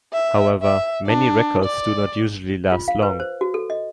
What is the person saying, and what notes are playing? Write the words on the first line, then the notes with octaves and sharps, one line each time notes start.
However, many records do not usually last long.
E5
E5
D4
D5
F4
F5
B4
C5
F#4
A4
D#5